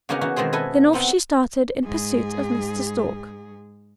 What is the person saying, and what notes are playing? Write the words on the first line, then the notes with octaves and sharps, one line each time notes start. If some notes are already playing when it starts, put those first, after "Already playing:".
Then off she started in pursuit of Mr. Stork.
C#3 A#3 B3 C#4 D#4 F#4
E3 D#4 F#4
B2 D#3 G#3 C4 G#4
E4 A4 B4 D#5 G#5
B3 C4 D#4
G#2 G#4